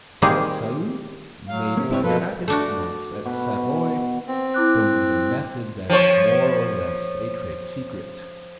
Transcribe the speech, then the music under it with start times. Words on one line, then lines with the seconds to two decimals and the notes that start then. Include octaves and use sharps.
Port-Salut made by Trappist monks at Savoy from their method that is more or less a trade secret.
0.22 D#3 G3 A#3 C4 G4 G#4
1.48 F#3 F5
1.77 C3 A#3 C#4
1.91 C4 E4 A4 C#5
2.04 B2 F3 A#3 A4 B4
2.48 A3 D4 F#4
3.26 B2
4.28 C4
4.54 E4 D6 F#6
5.90 F3 C#5